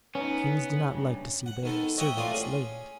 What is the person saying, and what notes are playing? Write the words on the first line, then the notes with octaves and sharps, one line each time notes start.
Kings do not like to see their servants lamed.
B3 C#4 D#4
G2 C#3
F#5
D#3 B3 A4
C#5 D#5 E5 F#5 G5 C#6
A1 A3 F4 D5 F5 D#6
C#4 G#4